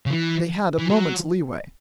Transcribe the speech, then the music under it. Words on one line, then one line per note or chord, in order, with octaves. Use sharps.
They had a moment's leeway.
C#3
E3
E3
F#3